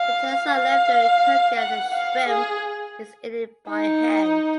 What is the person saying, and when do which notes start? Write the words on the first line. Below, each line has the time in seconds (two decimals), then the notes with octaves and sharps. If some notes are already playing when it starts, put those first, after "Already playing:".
The tails are left during cooking as the shrimp is eaten by hand.
Already playing: F5
0.53 F5
1.58 F#5
1.93 F5
2.28 G#4
3.69 D#4